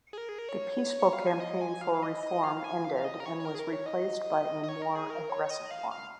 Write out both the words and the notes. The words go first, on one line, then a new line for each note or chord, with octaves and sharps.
The peaceful campaign for reform ended and was replaced by a more aggressive one.
G#4
A#4
G#4
A#4
C#5
C#5
F5
G#5
D#5
G#5
F5
D#5
D#5
F5
G#5
F5
D#5
A#4
C#5
C#5
A#4
G#4
A#4
C#5
D#5
D#5
C#5
A#4
G#4
A#4
C#5
D#5
F5
F5